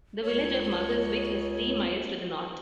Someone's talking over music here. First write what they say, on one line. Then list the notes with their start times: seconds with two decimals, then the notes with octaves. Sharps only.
The village of Muggleswick is three miles to the north.
0.23 C#2 C#5